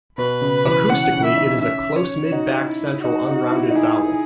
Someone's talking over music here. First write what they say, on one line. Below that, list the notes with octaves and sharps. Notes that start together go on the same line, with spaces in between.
Acoustically it is a "close-mid back-central unrounded vowel".
B2 B4
C#3
E3
C#4 F#5
C#4
E5
D#4
C#4 E5
C#5
D#4 F#4
E4
D#4 F#4
D#4
E4
D#4
E4 G#4